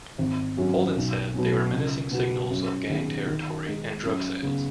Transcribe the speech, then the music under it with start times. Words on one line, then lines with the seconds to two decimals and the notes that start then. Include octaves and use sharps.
Holden said they were menacing signals of gang territory and drug sales.
0.18 G#1
0.57 F#2 F#3 C#4
0.96 B1
1.35 B2 F#3 C#4
1.73 C#2
2.11 B2 B3 F#4
2.50 F#2
2.89 D#3 B3 G#4
3.27 D#3
3.66 G#3 D#4
4.05 F#2
4.42 C#3 B3